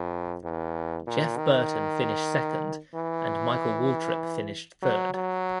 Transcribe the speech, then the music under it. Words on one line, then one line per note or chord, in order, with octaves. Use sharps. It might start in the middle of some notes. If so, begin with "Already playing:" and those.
Jeff Burton finished second and Michael Waltrip finished third.
Already playing: F2
E2
A#2
D#3
E3
F#3
F#3